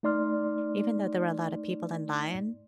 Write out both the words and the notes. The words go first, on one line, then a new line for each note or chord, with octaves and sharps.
even though there were a lot of people in line,
A3 D#4 D5 C6 F6